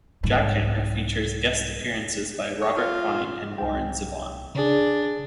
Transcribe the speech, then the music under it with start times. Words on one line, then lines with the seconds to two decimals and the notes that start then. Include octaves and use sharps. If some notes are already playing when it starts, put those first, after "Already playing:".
"Jack Hammer" features guest appearances by Robert Quine and Warren Zevon.
0.23 C2 G#2
2.62 C#5
2.76 F4
3.58 C2 G5
4.55 C#3 D4 G#4